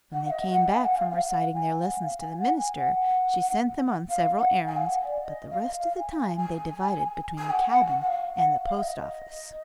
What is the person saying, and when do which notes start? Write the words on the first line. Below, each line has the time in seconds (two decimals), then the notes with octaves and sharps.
When they came back from reciting their lessons to the minister, she sent them on several errands, but the rest of the time they divided between the cabin and the post-office.
0.13 F#5
0.27 F5
0.31 D#5
0.51 F#5
0.68 G#5
0.77 F5
0.84 F#5
0.98 F5
1.11 F5
1.26 F#5
1.54 G#5
1.82 F#5
2.01 F5
2.20 G#5
2.39 F#5
2.58 G#5
2.77 F#5
4.09 F5
4.37 F#5
4.67 G#5
4.77 F5
4.85 F#5
5.04 D5
5.23 D#5
5.50 F5
5.79 F5
5.99 G#5
6.17 G#5
6.36 G#5
7.38 G#5
7.50 F#5
7.69 F#5
7.88 F#5
8.00 F#5
8.07 F5
8.35 F#5
8.64 F5
8.77 F5
8.81 D#5
9.01 D#5